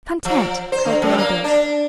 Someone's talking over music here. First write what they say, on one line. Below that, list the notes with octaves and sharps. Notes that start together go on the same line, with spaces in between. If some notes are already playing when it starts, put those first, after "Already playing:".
"Content," cried the others.
F3
C5
D3
F#2
A#3
D4